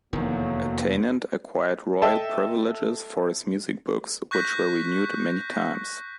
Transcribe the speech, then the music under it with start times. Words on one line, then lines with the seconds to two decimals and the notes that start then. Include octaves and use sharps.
Attaingnant acquired royal privileges for his music books, which were renewed many times.
0.13 F1 E2 A2 D#3 F#3 A#3
2.02 A4 D#5 E5 G5 A5
4.31 C#6 F#6 G6 A#6 B6